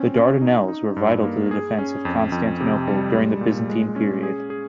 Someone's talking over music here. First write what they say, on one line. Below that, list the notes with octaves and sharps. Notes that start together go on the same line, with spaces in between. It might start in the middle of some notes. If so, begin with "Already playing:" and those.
The Dardanelles were vital to the defence of Constantinople during the Byzantine period.
Already playing: C4 C#4
C#4
D#4
D#4
G2
A#3
G#4
C#4
F2
F2
C3
G3
G#3
A#2
G#3
C#4
G#4
G#4